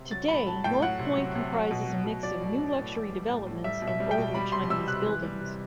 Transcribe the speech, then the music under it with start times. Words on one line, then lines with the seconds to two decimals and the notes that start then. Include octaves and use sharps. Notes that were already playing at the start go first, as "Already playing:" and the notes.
Today North Point comprises a mix of new luxury developments and older Chinese buildings.
Already playing: C3
0.11 F#3 A6
0.28 A2 B5
0.46 F#3 A5
0.64 A2 G5
0.82 F#3 F#5
0.99 C3
1.17 F#3
1.35 C3
1.52 F#3
1.71 B2
1.87 F#3
2.05 B2
2.23 F#3 D5
2.41 A2
2.58 F#3
2.76 A2
2.94 E3
3.11 G3
3.28 A2
3.46 A2
3.64 G3 E5
3.82 B2
3.87 E5
4.00 G3
4.11 G5
4.18 B2
4.34 G3 B5
4.52 C3 C6
4.70 G3 E6
4.88 C3 F#6
5.05 E3
5.23 G3
5.41 C3